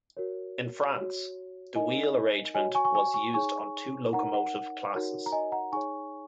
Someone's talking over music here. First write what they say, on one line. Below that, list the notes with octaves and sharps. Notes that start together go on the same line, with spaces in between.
In France, the wheel arrangement was used on two locomotive classes.
F#4 A#4 C#5
F#4 C#5
D#4 A#4 C#5 D#5 G#5
F#4 C#5 D#5 G#5
G#5 C#6
G#5 C#6
G#5 C#6
G#5 C#6
D#4 G#4 C#5 G#5 C#6
D#4 A#4 C#5 F#5 A#5
F#5
D#4 F#4 A#4 C#5
A#5
D#5 G#5
F#5 A#5
D#4 G#4 C#5 G#5 C#6